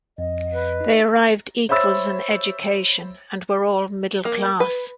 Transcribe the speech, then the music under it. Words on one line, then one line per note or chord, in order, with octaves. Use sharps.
They arrived equals in education and were all middle class.
F2 D#5
B4
D#4
C5 C#5 E5 B5 E6 A6
A#3
B4